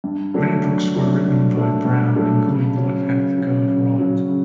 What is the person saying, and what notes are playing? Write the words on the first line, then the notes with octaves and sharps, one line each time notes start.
Many books were written by Brown, including What Hath God Wrought?
G2
F#3 A3 D4
G2
F#3 A3 D4
G2
F#3 A3 D4
G2
F#3 A3 D4
C#3
F#3 C#4
C#3
F#3 C#4
C#3
F#3 C#4
C#3